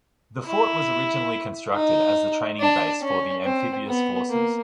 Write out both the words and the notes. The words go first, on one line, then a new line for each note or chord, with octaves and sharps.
The fort was originally constructed as the training base for the amphibious forces.
E4
D#4
D4
C#4
C4
B3
A#3